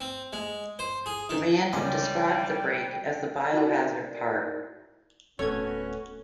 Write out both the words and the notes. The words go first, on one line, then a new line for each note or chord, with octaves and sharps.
The band described the break as the Biohazard part.
C4
G#3
C5
G#4
D#3
C#2 G3 C#4 G5
D#4 E4 F#4 A#4 D5 E5
D1 A3 B3 C#4 F#4 C#5 G#6